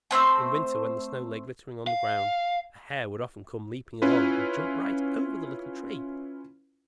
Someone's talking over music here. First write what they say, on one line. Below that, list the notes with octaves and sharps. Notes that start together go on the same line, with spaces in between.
In winter, when the snow lay glittering on the ground, a hare would often come leaping along, and jump right over the little Tree.
A3 C4 C5 E6
F5
C#4 E4 F4 B4